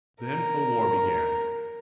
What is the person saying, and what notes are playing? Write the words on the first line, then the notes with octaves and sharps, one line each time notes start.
Then a war began.
A#4